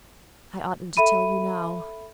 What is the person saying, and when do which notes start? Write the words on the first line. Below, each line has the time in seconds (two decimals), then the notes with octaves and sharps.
I oughtn't to tell you now.
0.97 A4 E5 B5 D#7